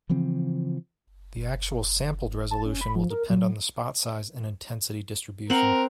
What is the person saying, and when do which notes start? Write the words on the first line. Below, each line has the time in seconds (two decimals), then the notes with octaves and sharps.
The actual sampled resolution will depend on the spot size and intensity distribution.
0.09 C#3 E3 F3 C4
2.51 A5
2.65 C#4
2.81 B5
2.95 F3
3.10 A#4
3.30 F#3
5.50 C4 A#4 F#5